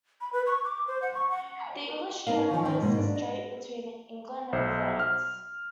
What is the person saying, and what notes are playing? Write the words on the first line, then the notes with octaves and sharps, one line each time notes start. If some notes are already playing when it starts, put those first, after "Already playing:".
The English Channel is the strait between England and France.
B5
B4
C#6
D6
C5
F#5
C#6
F#5
B3 D#4 A#4 F5
D#3 F3
D#3 C#4
G#2 B2 A#3
D4
D#5
B1 C5 E5
F6